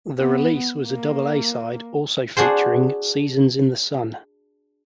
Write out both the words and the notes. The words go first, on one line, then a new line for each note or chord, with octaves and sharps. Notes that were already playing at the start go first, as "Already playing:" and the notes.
The release was a double A-side, also featuring "Seasons in the Sun".
B3
A#3
D4 F#4 G#4 C5